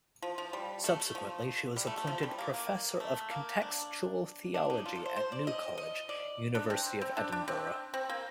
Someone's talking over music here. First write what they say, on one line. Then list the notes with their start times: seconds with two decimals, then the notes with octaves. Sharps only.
Subsequently, she was appointed Professor of Contextual Theology at New College, University of Edinburgh.
0.22 F3
0.38 F3
0.53 G3
0.84 A3
1.00 A3
1.15 F3
1.76 G3
1.87 A3
1.97 A3
2.07 F3
2.23 G3
2.39 A#3
2.54 A#3
3.00 A3
3.31 A#3
3.62 D4
4.54 D4
4.70 D#4
4.86 F4
4.95 A4
5.06 C5
5.16 C5
5.32 D5
5.47 D#5
5.78 D#5
6.09 D5
6.55 D4
6.70 C4
7.01 C4
7.17 D4
7.32 D4
7.48 C4
7.94 C4
8.10 A#3